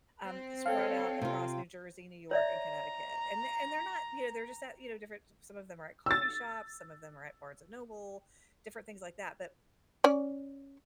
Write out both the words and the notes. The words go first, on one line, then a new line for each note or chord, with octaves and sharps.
um, spread out across New Jersey, New York, and Connecticut, and they're they're not You know, they're just at, you know, different s Some of them are at coffee shops, some of them are at Barnes and Noble, different things like that, but
C4
A4 C#5 F5 G5
C3 F4
C#5 D5 E5 A#5
E6 A6
C#4 D5